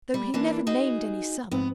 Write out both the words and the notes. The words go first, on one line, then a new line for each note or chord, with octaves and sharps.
Though he never named any sum.
G3
E3 A#3 D4
D#4 F#4 G#4
G#2 F3 B3 C4